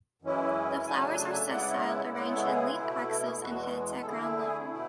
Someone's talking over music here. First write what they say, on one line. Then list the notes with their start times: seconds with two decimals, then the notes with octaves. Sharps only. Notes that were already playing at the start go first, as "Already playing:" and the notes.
The flowers are sessile arranged in leaf axils in heads at ground level.
0.22 F#2 E3 G#3 C#4 E4
0.86 C#3 F#3 A3 D4 G#5
0.98 A5
1.09 G#5
1.21 A5
1.32 E5 G#5
1.50 C#3 G#3 B3 E4 D5 F#5
2.14 C#3 G#3 B3 E4 D5 F#5
2.35 A4 C#5
2.46 G#4
2.78 B2 A3 E4
3.10 F#4 A4
3.26 G#4
3.42 E2 B2 G#3 F#4
4.01 A4
4.06 D3 A3 E4 G#4
4.22 G#4
4.38 G#4
4.71 B2 A3 E4